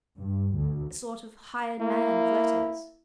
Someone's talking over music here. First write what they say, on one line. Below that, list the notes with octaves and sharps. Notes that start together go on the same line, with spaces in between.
A sort of hired man of letters!
G2
D2
A#3 E4